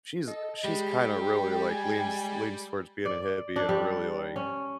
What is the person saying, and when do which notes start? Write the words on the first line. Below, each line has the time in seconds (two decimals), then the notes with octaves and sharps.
she's, she's, kinda, really, like, leans leans towards being a hippie in a really, like,
0.27 A4 D#5
0.64 G3 G#3 G4
0.89 G5
1.69 G#5
3.05 D5
3.56 D4
3.69 G3
4.36 C#4